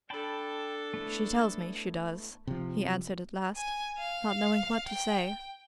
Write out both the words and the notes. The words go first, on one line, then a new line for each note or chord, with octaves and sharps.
"She tells me she does," he answered at last, not knowing what to say.
D4 A4 G5 A5 B5
A3 B3 E4
C3 F3
G#5
F5
G5